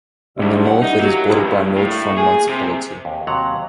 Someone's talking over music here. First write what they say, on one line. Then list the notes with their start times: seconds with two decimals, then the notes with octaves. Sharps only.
On the north it is bordered by Nord-Fron municipality.
0.42 D2
0.66 F#5
0.83 D#4
1.00 F#3
1.29 C#2
1.50 G2
1.76 A2
2.17 G#4
2.49 C3
3.05 D#2
3.27 D#2 C3 F#3 F#5 A#5